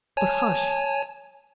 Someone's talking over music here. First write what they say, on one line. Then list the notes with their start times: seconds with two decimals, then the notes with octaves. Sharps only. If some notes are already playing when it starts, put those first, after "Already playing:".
But hush!
0.17 C#5 G#5 A5